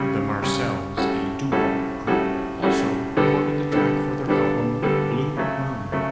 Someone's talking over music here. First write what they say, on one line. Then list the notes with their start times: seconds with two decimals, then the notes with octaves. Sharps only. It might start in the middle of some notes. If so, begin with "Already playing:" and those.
The Marcels, a doo-wop group, also recorded the track for their album "Blue Moon".
Already playing: C#3 G3 C#4
0.42 C#3 G3 C#4
0.97 A2 G3 C#4 F#4 A4
1.52 A2 G3 C#4 F#4 A4
2.07 A2 G3 C#4 F#4 A4
2.62 A2 G3 C#4 F#4 A4
3.17 D3 G3 B3 D4 A4
3.72 D3 G3 B3 D4 A4
4.27 D3 G3 B3 D4 A4
4.82 D3 G3 B3 D4 A4
5.37 C#3 F#3 A3
5.92 C#3 F#3 A3